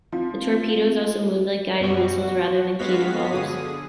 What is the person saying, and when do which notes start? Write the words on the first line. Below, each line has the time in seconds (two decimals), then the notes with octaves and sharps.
The torpedoes also moved like guided missiles rather than cannonballs.
0.12 F3 C4
1.80 F#2 B2 G3 F#4
2.18 F#4
2.79 G2 G#3 B3 F#4 F5 B6
3.33 D3 G#4 D#6